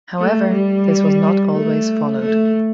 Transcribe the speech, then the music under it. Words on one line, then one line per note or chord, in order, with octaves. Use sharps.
However, this was not always followed.
A3
G3
A3
A3